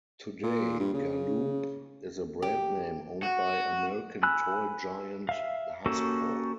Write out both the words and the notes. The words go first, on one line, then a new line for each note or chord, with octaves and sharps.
Today Galoob is a brand name owned by American toy giant Hasbro.
A#2
G2
C#3
G4
F#4
G#5 B5 E6 F#6
E5 F5
A#3 C#4 F#4 G4 A4